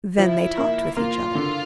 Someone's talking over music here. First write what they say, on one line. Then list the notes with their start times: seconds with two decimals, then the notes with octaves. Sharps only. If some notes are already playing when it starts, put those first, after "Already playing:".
"Then they talked with each other."
0.18 F3 E4
0.57 A#3
0.97 A#3 F4
1.35 D3